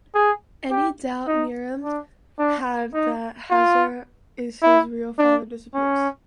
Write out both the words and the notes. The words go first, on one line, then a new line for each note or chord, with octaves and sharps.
Any doubt Miran had that Hazar is his real father disappears.
G#4
G4
D#4
D4
D4
D#4
F4
E4
D4
C#4